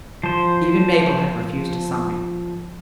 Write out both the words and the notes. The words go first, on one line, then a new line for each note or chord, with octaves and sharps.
Even Mabel had refused to sign.
F3 C5